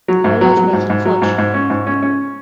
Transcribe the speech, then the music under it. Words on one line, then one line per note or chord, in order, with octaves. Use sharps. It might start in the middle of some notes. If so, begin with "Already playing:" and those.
I love making fudge.
F#3
G#2
F#3
F#3
G#2
G#2
F#3
G#2
G#2
C#4
G#2
C#4
C#4